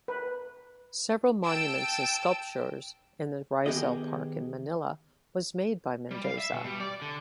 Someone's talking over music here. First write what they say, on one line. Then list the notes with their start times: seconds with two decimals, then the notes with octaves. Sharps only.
Several monuments and sculptures in the Rizal Park in Manila was made by Mendoza.
0.08 B4
1.44 G5 A5 E6 D7
3.66 D#3 B3 G4 G#4 D#5
6.11 G3
6.25 F5
6.38 E5
6.52 B2
6.64 G3
6.80 D5
7.02 D3